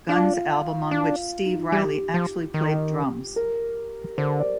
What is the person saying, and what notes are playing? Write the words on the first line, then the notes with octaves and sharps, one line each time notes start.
Guns album on which Steve Riley actually played drums.
D4 F4
D4
D#4
F4
G3 G4
F3
D#3
A#4
D3 C5
D5